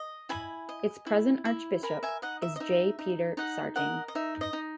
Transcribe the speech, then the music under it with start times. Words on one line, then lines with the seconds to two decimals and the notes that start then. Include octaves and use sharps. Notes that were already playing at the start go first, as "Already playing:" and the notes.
Its present archbishop is J. Peter Sartain.
Already playing: D#5
0.29 E4 G#5 B5
0.69 D#5
1.07 E4
1.45 E4
1.83 A#4 G#5 B5
2.03 E5 G#5
2.22 D#4 D#5 F#5
2.42 E5
2.56 D#5
2.60 D#4 E5
2.99 D#4
3.37 D#4 D#5 F#5
3.76 A#4 D#5 F#5
4.08 D#5
4.15 D#4 E5
4.41 D#5
4.53 D#4